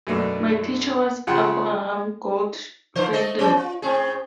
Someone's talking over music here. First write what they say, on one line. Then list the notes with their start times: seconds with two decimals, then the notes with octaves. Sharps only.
My teacher was Abraham Goldfaden.
0.07 F#2 B2 A3 D4
1.27 C#3 F3 F4 G#4 F#5 G5
2.95 D3 F3 C5
3.13 A3 A4 D#5
3.39 B3 C#4 D4
3.57 F4
3.82 A2 C4 G#4